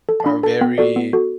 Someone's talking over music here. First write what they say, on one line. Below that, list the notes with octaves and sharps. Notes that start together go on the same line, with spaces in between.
are very
A4
A5
D4 B5
A4 A5
B3 G5
F#4 A4 D5
B3
F#4 A4